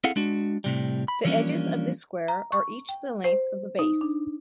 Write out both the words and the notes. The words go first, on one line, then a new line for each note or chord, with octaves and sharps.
The edges of this square are each the length of the base.
C4 E4 G#4 A4 F5 F#5
G#3 D4 F#4
A2 C3 G3
B5
E3 F3 G3 A#3 C#4 D4
A#5
C#6
G5
C5
D#4
D4